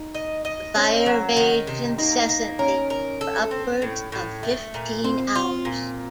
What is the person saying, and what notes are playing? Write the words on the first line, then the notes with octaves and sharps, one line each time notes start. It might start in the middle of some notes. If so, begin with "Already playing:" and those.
The fire raged incessantly for upwards of fifteen hours.
Already playing: D#4
D#5
D#5
C4 C#4
F#3
D#3
C3
A#3 D#4
A#3
C#4 A#4
A#4
A4
C4
A2
A2
A3
A#2
C4 C5
F4
A#2